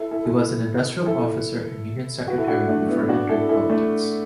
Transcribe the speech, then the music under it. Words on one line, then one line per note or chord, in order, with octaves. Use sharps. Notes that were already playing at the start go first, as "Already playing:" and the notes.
He was an industrial officer and union secretary before entering politics.
Already playing: E4 A4
E4 A4
E4 A4
E4 A4
F#4 B4
E4 A4
D4 F#4
A3 D4
B3 E4
D4 F#4
E4 A4
E4 A4
A3 D4